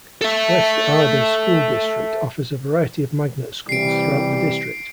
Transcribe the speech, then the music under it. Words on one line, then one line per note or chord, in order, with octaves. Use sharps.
West Ada School District offers a variety of magnet schools throughout the district.
A4 E5
C3 E3 G3 C7 D7